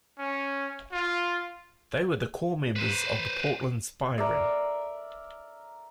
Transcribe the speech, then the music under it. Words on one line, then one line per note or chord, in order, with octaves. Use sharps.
They were the core members of the Portland Spy Ring.
C#4
F4
B4 C5
A#4 D5 E5